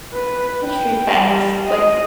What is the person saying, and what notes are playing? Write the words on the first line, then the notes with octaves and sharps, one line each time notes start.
history facts", like
B4
G5
G3
D#5